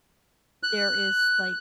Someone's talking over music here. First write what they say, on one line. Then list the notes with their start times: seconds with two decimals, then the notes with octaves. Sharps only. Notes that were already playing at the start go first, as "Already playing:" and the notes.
there is, like,
0.63 F#6